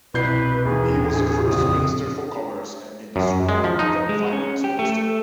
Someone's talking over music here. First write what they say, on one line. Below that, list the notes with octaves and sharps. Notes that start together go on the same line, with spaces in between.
He was the first Minister for Commerce and Industry and then Finance Minister.
C2 B2 B4 G6 C7
D#2 E3 G#4
A2
A#1 F2 C#3 D#6
F#2
G#3
F3
D#4
G#3
C#4
G4
A3